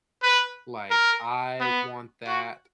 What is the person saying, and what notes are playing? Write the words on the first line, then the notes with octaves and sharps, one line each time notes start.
like, "I want that
B4
A#4
B3
F#4